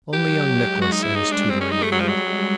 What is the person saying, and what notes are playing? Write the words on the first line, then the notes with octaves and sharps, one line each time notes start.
Only young Nicholas and his tutor remained.
F#3 G4
G#3
F#4
D#4
E4
G3 D#4
D4
C4
C#4
D#4
A3
F#3
F3
F#3